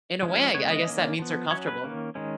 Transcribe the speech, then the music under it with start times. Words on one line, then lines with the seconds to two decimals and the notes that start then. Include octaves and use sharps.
in a way, I g I guess that means they're comfortable.
0.23 F3 G#3 C#4
0.54 C#3 G#3 B3 C#5
0.71 D#5
0.87 D#3 A#3 C#4
1.19 F3 B3
1.51 F#3 C#4 C#5
1.67 B4
1.84 D#3 A#3 C#4
2.15 D#3 G#3 C#4